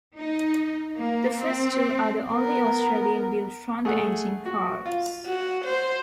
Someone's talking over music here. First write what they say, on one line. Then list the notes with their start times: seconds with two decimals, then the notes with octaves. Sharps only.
The first two are the only Australian-built front engine cars.
0.17 D#4
0.97 A#3
1.41 C4
2.31 B3 A#4
3.85 A3 G#4 F#5
4.46 F#4
4.86 F4
5.26 F#4
5.65 C5